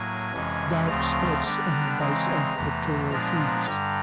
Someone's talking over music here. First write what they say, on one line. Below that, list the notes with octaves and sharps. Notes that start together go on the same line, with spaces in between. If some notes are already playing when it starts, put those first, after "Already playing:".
Dark spots on the base of pectoral fins.
Already playing: A2 F#3 A#3 G#5
F2 C3 E3 G#3 C#4
D2 C#3 F3 A3 C4 A#5
D3 G3 B3 D4
C#3 E3 G#3 C4 A#5
E2 C3 E3 A3
A#2 F3 G#3 B3 D4 A#5
G2 D3 G3 A#5